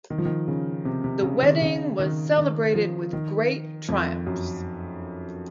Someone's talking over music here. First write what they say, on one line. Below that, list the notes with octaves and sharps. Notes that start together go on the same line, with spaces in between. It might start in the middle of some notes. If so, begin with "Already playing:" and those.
The wedding was celebrated with "great triumphs".
D#3
F3
D#3
C#3
C3
C3
C#3
D#3
C#3
D#3
D#3
F3
D#3
F2
F#2